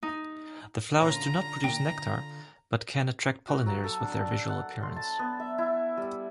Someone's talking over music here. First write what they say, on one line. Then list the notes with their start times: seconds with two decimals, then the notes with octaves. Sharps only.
The flowers do not produce nectar, but can attract pollinators with their visual appearance.
0.03 D#4
1.00 A#2 D3 C#4 F4 A#5
1.64 A#2 G5
3.48 F#4
3.66 F#3
3.84 A4
4.00 D4
4.49 F#5
4.83 C6
4.96 A5
5.19 B3
5.40 E5
5.58 E4
5.97 G3